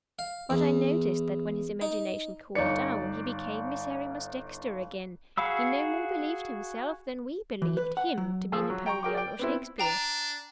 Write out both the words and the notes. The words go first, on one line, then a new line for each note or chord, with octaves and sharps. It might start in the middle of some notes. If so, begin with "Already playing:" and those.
But I noticed that when his imagination cooled down he became Miserrimus Dexter again--he no more believed himself than we believed him to be Napoleon or Shakespeare.
F5
E2
D#4
G1 D#4 C#5 D5 C#7
F#4 G#4 F5 B5 E6
E3
B4
F#5
F#3
F3 G#4 E6
F#3
G5 A#5 C#6
G#4 A#4 G5 D6
D5 G5
B3 C4 E4
D4 G5 A#5